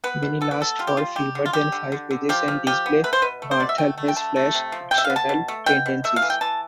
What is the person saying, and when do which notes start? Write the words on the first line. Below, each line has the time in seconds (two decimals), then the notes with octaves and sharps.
Many last for fewer than five pages, and display Barthelme's flash fictional tendencies.
0.04 B3 B4
0.23 B2
0.41 B3 A4
0.51 B4
0.61 B3 A4
0.79 G3 F4
0.87 G4
0.97 G3 F4
1.16 G3 G4
1.35 D3
1.46 F4
1.53 G3 G4
1.72 D3
1.92 D3
2.11 D3
2.29 F3 G4
2.48 F3
2.67 F3 G4
2.86 B3
3.04 A3 B4
3.13 C5
3.22 B2 B4
3.42 A3
3.51 C5
3.60 B2 D5
3.69 E5
3.78 A3 G5
3.98 A3
4.08 G5
4.16 D3 A5
4.36 A3
4.55 C3
4.72 F3
4.91 C3 G5
4.98 E5
5.04 F5
5.10 B3
5.16 A5
5.29 B2
5.48 A3
5.66 B2 G5
5.86 B2
6.04 A3 E5
6.16 F5
6.22 E3
6.30 G5
6.41 E3 A5